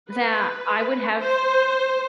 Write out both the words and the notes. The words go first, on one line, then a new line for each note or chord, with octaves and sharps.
that I would have
B4
C5